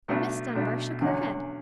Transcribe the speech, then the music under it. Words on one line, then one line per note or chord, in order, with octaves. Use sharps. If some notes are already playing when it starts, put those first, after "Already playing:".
But Miss Dunbar shook her head.
B1 B2 A3 D4
B1 B2 A3 D4
E2 D3 F#3 C#4